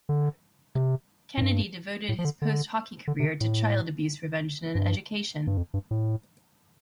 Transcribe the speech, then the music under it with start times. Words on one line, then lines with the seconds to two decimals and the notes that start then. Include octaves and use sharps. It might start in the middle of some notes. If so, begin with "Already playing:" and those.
Kennedy devoted his post hockey career to child abuse prevention and education.
0.09 D3
0.75 C3
1.37 A2
1.42 G2
2.09 A2
2.18 F3
2.25 D3
2.42 D3
3.07 D3
3.20 C3
3.41 A2
4.75 G2
5.47 G2
5.57 F2
5.74 G2
5.91 A2